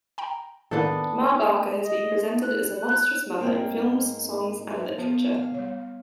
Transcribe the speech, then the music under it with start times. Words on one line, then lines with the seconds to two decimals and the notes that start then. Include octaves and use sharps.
Ma Barker has been presented as a monstrous mother in films, songs and literature.
0.18 G5 A#5
0.71 A2 D#3 A#3 B3 D4 A4
1.82 D#5
2.43 F#6
3.39 G#2 A#3 C4
4.70 B4 E5
4.98 F3 B3
5.34 F5
5.54 G3 C#5